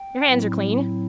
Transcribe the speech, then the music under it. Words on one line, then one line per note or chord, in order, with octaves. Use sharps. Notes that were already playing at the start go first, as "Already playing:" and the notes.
Your hands are clean.
Already playing: G5
A2 F#3 C4 E4